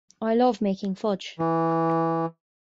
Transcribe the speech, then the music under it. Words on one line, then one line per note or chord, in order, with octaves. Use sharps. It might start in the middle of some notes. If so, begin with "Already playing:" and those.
I love making fudge.
E3